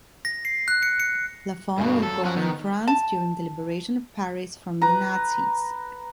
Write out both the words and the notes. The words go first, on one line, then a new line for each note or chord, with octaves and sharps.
Lafond was born in France during the liberation of Paris from the Nazis.
A#6
C7
F#6
C#7
C#7
G2 B2 A4 F5
F#2 A4
C#4 F#5
D#3 B3
A5
B4 A#5